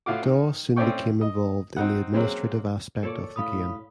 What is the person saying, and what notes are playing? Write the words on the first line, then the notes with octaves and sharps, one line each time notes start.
Dawe soon became involved in the administrative aspect of the game.
A2 F4 F#4 D6
D#3
A2 C4 C#4 D5 G5 C#6
D#5
C4 D#4 F#5
F#3 G#3 A#3 C4 C#4
A#2 A4 C#5 D5
A2 F5 B5 D#6